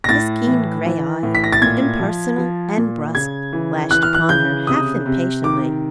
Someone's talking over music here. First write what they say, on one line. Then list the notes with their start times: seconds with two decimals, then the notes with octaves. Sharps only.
His keen grey eye, impersonal and brusque, flashed upon her half impatiently.
0.04 A#6
0.09 A2 A6
0.47 E3
0.85 E3
1.23 A2
1.35 B6
1.44 A#6
1.53 A6
1.62 A#2 G#6
2.00 F3
2.38 F3
2.77 A#2
3.14 C#3 G#6
3.53 E3
3.91 E3 F#6
4.03 F6
4.14 F#6
4.29 C#3 G6
4.67 C3 D#6
5.06 C3
5.44 D#3 D6